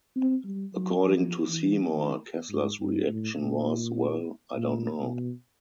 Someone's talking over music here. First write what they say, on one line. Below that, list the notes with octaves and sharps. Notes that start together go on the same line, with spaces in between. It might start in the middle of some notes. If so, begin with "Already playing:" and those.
According to Seymour, Kessler's reaction was, Well, I don't know.
C4
G3
F#3
F3
E3
D#3
G#2
G2
A2
A#2
A#2
B2